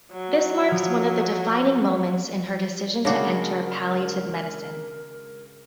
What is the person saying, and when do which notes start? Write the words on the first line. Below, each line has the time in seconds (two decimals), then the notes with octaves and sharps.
This marks one of the defining moments in her decision to enter palliative medicine.
0.12 F#3
0.69 F3 F6 G#6
3.05 C#3 G#3 D4 F#4 A#4 C#5 D6